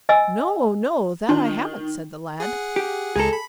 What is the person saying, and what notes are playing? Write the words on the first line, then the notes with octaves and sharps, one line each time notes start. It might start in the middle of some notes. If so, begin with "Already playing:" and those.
'No, no; that I haven't', said the lad.
D#5 G#5 E6
D#3 D4 D#4 F4
G#4 F#5
G4
C#2 G#3 G#4 A4 A#5
B5